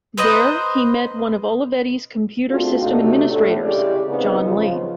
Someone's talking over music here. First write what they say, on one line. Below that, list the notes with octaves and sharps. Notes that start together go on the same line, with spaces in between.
There, he met one of Olivetti's computer system administrators, Jon Lane.
B4 C5 D#5 A#5
A3 C4 D4 F4 F#4 G#4
C3 A3 D4 D#4 F#4
A2 A3 D4
C#3 G#3 E4 G4 G#4 D5
C#3 B3 C4 D#4
C#3 F3